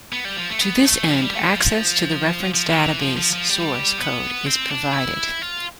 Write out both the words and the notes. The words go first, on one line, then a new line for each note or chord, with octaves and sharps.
To this end, access to the reference database source code is provided.
B3
G3
F3
A3
B3
A3
F3
G3
A3
G3
F3
F3
F3
E3
F3
F3
F3
G3
B3
C4
D4
E4
F4